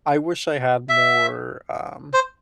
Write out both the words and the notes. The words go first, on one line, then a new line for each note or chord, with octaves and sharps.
I wish I had more, um
E5
C5